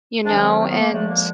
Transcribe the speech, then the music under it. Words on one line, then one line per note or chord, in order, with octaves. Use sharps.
you know, and
C2 C3 D#3 F#3 D4
C#4
C4
C#4
C4
B3
A#3
D#2 D3 F3 G#3 A3
A#3